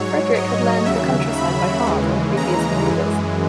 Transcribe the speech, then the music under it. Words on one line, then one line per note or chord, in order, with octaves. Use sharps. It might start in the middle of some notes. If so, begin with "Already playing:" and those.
Frederick had learned the countryside by heart on previous maneuvers.
Already playing: G#2 F#3 C#5
D#5
D#2 C#3 F#3 E5
B5
D#2 C#3 E3 G#3
A#5
F#2 E3 G#3